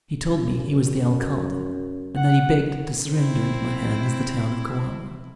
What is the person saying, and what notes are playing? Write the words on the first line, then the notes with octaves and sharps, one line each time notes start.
He told me he was the Alcalde, and that he begged to surrender into my hands the town of Coamo.
F#2
F#5
C4 E4